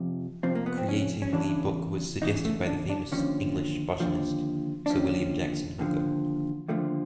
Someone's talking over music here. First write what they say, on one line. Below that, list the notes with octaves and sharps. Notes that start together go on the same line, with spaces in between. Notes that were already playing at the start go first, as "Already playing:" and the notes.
Creating the book was suggested by the famous English botanist Sir William Jackson Hooker.
Already playing: F2 C3 F3
F2 C3 F3 C4
A#3
B3
C4
C#4
C#4
E2 C#3 E3 D4
E2 C#3 E3 D#4
A3
D4
D4
D#2 D3 F3 C#4
D#2 D3 F3
D4
D#2 D3 F3 C#4
D#2 D3 F3
D#2 D3 F3 A3